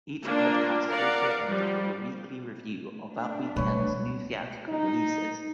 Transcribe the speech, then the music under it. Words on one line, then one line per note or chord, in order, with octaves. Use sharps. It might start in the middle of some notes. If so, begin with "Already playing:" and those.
Each podcast also ended with a weekly review of that weekend's new theatrical releases.
A#3 D4 F4
A#4 D5 F5 F#5
F3 G3
A3 D4
B2 G3 B4 C#5
D#4